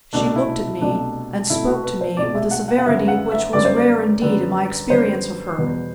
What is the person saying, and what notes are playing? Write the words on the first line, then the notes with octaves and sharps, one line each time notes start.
She looked at me, and spoke to me with a severity which was rare indeed in my experience of her.
C2 B2 A3 D4
E4
E4
C2 B2 A3 D4
C2 B2 A3 E4
F#4
B4
C5
C2 B2 A3 D5
E5
F#5
F#5
F#5
F#2 D3 G3 B3 E5
F#5
E5
F#2 D3 G3 B3 D5
C5
D5
F#2 D3 G3 B3
F#2 D3 G3 B3 C5
E2 B2 G3 B3